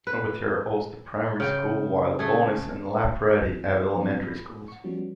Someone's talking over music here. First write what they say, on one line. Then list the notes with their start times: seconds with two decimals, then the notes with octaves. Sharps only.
Aubeterre hosts the primary school while Bonnes and Laprade have elementary schools.
0.07 B4
1.40 C#3 G5
2.19 A3 G#4
3.80 C6 D6
3.95 F3 F#3 B3 C4
4.28 B5
4.68 F#5 C#6
4.84 F3 G3 B3 C#4 F#4